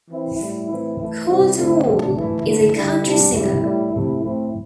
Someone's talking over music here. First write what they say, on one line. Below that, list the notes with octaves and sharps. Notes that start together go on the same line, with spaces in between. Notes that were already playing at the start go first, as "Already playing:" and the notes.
Colter Wall is a country singer.
E3 C4 E4
A2 G3 E4
A2 E3 C4 E4
E3 A3 E4
C3 G3 C4 E4
D3 A3 C4
C3 A3 D4
E3 A3 E4
D3 A3 E4
D3 G3 E4
C3 G3 D4
C3 G3 E4
A2 G3 E4
C3 A3 E4
A2 A3 C4 E4